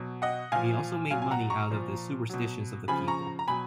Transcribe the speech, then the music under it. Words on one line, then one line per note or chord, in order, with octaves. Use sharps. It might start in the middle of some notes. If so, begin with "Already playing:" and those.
He also made money out of the superstitions of the people.
Already playing: B2 F#3
D#5 F#5
A#2 F3 F5 G#5
A#2 F#3 F5 G#5
G#5
F#5 A#5
A#5 C#6
A#2 F3
B2 F#3
C#3 F3 G#5 B5
A#5 C#6
A#5
B2 F#3 G#5 B5